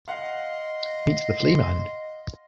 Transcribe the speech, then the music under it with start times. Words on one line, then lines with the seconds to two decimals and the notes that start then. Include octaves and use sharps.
Meets the Flea Man.
0.08 D#5 F5 F#5 C6